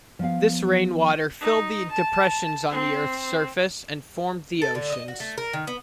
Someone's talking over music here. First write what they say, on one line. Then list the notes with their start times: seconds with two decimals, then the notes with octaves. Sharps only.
This rain water filled the depressions on the Earth's surface and formed the oceans.
0.19 F3 B3 F5
1.40 D#4
1.91 A5
2.71 C4
4.62 A4
4.75 D3
4.92 D#5
5.08 F#4
5.20 A3
5.38 A#4
5.53 D#3
5.67 B3